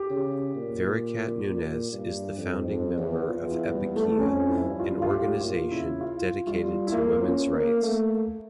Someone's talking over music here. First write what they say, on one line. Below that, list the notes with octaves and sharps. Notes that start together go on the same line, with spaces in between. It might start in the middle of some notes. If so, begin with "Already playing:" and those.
Vericat Nunez is the founding member of Epikeia, an organization dedicated to women's rights.
Already playing: G4
C#3
A#2
A#2
G2
F2
F2
E2
E2 F4
E4
G3
A3
F2 C#4
E4
G2
F4
F4
A2 G4
A#2 F4
C#3 E4
F4
G3 F4
E4
A#3 F4
C#4
A#3
A3